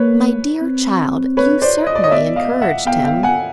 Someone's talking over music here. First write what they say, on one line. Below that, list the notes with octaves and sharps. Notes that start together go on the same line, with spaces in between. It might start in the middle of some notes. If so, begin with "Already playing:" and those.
"My dear child, you certainly encouraged him."
Already playing: A#3 B4 C#5
C4
B4 C#5
C5 D5
D#5
D5
C#5 D#5
B3 D5 E5
D#5 F5
E5 F#5
B3 F5 G5
F5 G5
F#5 G#5